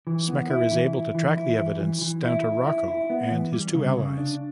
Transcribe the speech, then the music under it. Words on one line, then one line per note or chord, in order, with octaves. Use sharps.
Smecker is able to track the evidence down to Rocco and his two allies.
E3
B3
E4
E3
E4
E3
E4
E3
E3
E3
E4
E4
E4
E4
B3
E3
G3
C#3
C#3
D4